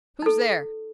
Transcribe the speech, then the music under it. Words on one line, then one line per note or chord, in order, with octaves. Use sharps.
"Who's there?"
D#4 A4